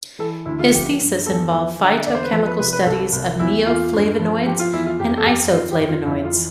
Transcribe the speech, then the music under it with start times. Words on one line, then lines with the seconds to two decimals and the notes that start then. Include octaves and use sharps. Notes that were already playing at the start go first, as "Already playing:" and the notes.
His thesis involved phytochemical studies of neoflavonoids and isoflavonoids.
0.19 E3 A4
0.45 D2 E4
0.59 F4
0.72 F3 G4
0.99 G2
1.26 E2 A4
1.53 F3
1.79 D3
1.97 E5
2.06 E2 D5
2.15 C5
2.24 B4
2.33 F3 A4
2.46 B4
2.59 C3 B4
2.73 B4
2.86 C2 A4
3.12 C2
3.39 E2 E4
3.66 E2 F4
3.93 G2
4.19 F3
4.46 F3 G4
4.59 F4
4.72 E2 E4
4.86 F4
4.99 F2 G4
5.17 A4
5.26 F2 G4
5.53 F2 F4
5.71 G4
5.80 F2
5.89 F4
6.06 F2 E4
6.24 F4
6.33 E3